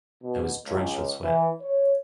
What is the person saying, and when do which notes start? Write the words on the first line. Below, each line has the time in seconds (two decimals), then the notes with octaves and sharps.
I was drenched with sweat.
0.23 B2
0.66 C#2
1.23 E3
1.62 C#5